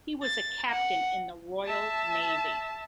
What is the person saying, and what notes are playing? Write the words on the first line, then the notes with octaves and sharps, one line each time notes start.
He was a Captain in the Royal Navy.
A6
F#5
E5 A5